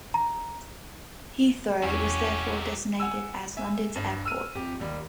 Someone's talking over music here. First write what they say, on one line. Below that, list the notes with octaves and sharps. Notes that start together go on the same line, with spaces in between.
Heathrow was therefore designated as London's airport.
A#5
E2 F#3 C#4 F#4 G4
F#5 G#5 E6
E5 G#5
G2
E6 F6 D#7
F2 G4
D#2 G3